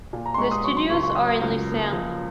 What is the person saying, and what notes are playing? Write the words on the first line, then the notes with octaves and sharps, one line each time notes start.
The studios are in Lucerne.
A#2
A#5
C6
G#3 C#6
D#6
F#3 C#6
C6
C#2 C#6
C#6
F#3 D#6
C#2
A#3
F3